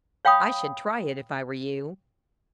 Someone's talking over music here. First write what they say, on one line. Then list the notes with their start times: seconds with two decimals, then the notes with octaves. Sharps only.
I should try it if I were you.
0.25 C#5 F5 G5 B5 D#6